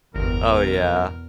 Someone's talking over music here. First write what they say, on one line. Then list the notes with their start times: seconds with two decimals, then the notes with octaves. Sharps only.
Oh, yeah.
0.15 G1 E2 B2 A#4